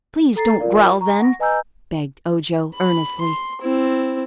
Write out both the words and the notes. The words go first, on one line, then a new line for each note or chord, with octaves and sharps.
"Please don't growl, then," begged Ojo, earnestly.
A4 A#5 A6 C7
F4 A#4 D5 F5
A#5 C#6
F#5 C#6 A#6
B4 D#5 G#5 A#5 E6 G6
B5
C6
C4 E4